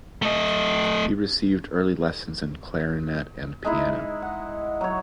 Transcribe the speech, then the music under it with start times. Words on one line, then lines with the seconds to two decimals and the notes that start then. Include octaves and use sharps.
He received early lessons in clarinet and piano.
0.22 A3 D#5
3.65 G#3 D#4 E4
4.22 F#5
4.81 F#3 C#5